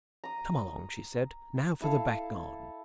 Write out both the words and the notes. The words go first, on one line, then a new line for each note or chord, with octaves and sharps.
"Come along," she said; "now for the back garden."
A#5 D#6
E4 A4 F5